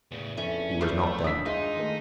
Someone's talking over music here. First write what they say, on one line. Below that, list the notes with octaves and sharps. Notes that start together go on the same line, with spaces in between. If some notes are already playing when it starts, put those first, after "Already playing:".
He was not there.
E2 A2 C#3
F2 A3 C#4
E2 A2 E3 A3 F6 G6 C7
D4 D#6 E6 B6
G2 G#3 D#4 F4 E5
D#3 A3